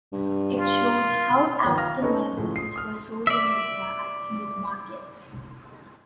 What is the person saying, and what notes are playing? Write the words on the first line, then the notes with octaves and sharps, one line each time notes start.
It showed how African migrants were sold in Libya at slave markets.
G2
F4
D#3 F3 B3 C#5
F5 A#5 F6 A#6
C#4 D#4 A4 B4
A2 C#3 F3
D#6 C7
D#6 F6
D5 E5